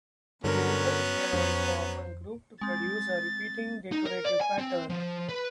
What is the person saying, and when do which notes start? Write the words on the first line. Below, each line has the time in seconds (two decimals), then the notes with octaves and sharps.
The rivets were also often grouped to produce a repeating decorative pattern.
0.44 G2 D3 F#3 B3 C#4 A#4
1.33 F2 C5
2.61 G#3 C4 A6
3.92 D#4
4.06 A#4
4.25 D5
4.41 G#5
4.58 C4
4.90 F3
5.28 B4